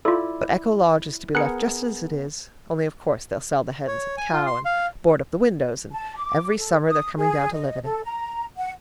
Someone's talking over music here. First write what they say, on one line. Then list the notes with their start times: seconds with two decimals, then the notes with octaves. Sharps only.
But Echo Lodge is to be left just as it is. . . only of course they'll sell the hens and cow, and board up the windows . . . and every summer they're coming down to live in it.
0.05 E4 F4 A4 D5
1.35 B3 G#4 A#4 F#6 C#7
3.88 C#5
4.18 G#5
4.33 F4
4.47 C6
4.65 F5
5.92 A5
6.16 D6
6.58 A4
6.86 D#6
7.17 G#4
7.53 D#5
7.83 A4
8.04 A#5
8.57 F#5